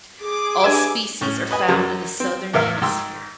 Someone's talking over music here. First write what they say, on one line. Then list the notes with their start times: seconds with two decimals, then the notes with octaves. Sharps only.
All species are found in the Southern Hemisphere.
0.23 G#4 D6
0.64 D4 G4 B4 E5 G#5
1.21 A2 C#4
1.51 B4 D#5 G#5 B5
1.68 F#2 F#3 C#4
2.20 C4
2.53 E2 A2 A#4 E5 F5 F6
2.81 G#2 D#3 C6 E6